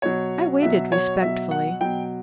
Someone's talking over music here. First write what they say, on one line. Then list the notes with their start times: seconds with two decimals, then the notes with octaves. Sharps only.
I waited respectfully.
0.02 B2 F#3 C#5
0.62 B2 F#3 E5
0.92 C#5
1.22 B2 F#3 E5
1.51 F#5
1.81 B2 F#3 G5